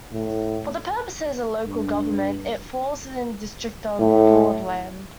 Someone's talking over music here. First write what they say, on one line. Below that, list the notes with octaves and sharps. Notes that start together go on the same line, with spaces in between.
For the purposes of local government, it falls within the district of Broadland.
A2
G2
A2